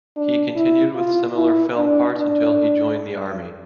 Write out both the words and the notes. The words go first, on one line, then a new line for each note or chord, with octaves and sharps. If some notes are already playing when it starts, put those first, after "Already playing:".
He continued with similar film parts until he joined the army.
D4
E4
F4
E4
D4
D4